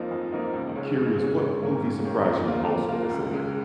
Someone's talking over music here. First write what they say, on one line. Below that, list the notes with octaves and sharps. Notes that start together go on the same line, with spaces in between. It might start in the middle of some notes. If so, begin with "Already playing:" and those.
I'm curious, what movie surprised you the most with it's ending?
Already playing: F2 F3 A#3 D#4
F2
F3 A#3 D#4
C#2
C#3 G#3 C#4
C#2
C#3 G#3 C#4
G#2
D#3 A#3 C#4
G#2
D#3 A#3 C#4
A#2
A#3 F4
A#2
A#3 F4
C#2
C#3 G#3